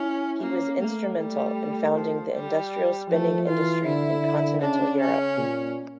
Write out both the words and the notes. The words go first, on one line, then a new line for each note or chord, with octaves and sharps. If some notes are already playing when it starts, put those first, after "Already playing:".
He was instrumental in founding the industrial spinning industry in continental Europe.
Already playing: C#4 E4
A#3 C#4
A3 A#3
G3 A3
F3
G3
F3 A3
E3 F4
D3 E4
C#3 D4
C#4
A#2